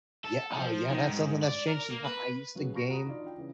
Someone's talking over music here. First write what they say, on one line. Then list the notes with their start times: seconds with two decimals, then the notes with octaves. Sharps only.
yea oh yeah, that's something that's changed a lot. I used to game
0.24 A4
0.58 F3
0.89 D#3
1.08 G#2
1.43 D5
1.68 A#4
1.91 A#3
2.05 B4
2.55 C#3 F#3 B3 F#4 G#4
2.74 A5 B5 C#6 A#6 D7
2.88 F#4 F#5 A#5 B5 D#6
3.06 D#3 F3 D4 F4 D5
3.24 D4 G5
3.38 C#3 E3